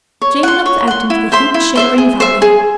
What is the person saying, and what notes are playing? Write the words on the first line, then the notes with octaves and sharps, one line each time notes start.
Jane looked out into the heat-shimmering valley.
C#5
F#5 C6
C#5
F#5 C6
E4
C5 E5 C6
E4
C5 E5 C6
G#4
C5 E5
G#4